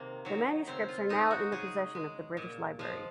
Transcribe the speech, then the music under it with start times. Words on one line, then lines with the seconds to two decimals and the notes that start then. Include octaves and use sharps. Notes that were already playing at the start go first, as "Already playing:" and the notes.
The manuscripts are now in the possession of the British Library.
Already playing: C3 D#3 A#3 C4
0.25 D#3 F#3
0.67 C#3 C4
0.88 F4
1.09 G#3 D#4
1.31 F#4
1.52 C#3 G#4
1.95 G#3
2.37 A#2
2.79 F3 G#3